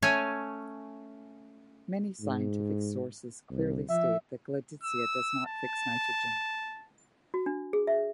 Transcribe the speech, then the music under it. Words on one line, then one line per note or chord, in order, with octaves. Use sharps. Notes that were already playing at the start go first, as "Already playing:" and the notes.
Many scientific sources clearly state that "Gleditsia" does not fix nitrogen.
A3 C#4 C#5 G#5
G#2
C2
F3 E5
E6
A5
F#4
D4
G#4
E5